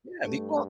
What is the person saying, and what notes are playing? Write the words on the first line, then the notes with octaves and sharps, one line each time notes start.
Yeah, the e well,
G2 A3